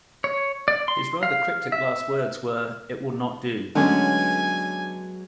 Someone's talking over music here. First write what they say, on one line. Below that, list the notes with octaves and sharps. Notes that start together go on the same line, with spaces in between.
His rather cryptic last words were: "It will not do".
C#5
D5
C6
F5
E5
D3 F#3 G#3 B3 C#4 G#5